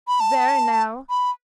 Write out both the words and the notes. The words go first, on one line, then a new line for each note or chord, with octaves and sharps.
There now!'
B5
A5
B5